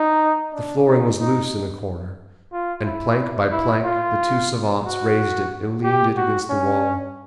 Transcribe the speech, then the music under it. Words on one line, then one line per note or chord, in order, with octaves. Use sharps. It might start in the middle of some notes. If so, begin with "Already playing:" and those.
The flooring was loose in the corner, and plank by plank the two savants raised it and leaned it against the wall.
Already playing: D#4
D4
D#4
D#4
F4
E4
E4
F4
F#4
G4
F#4
C#4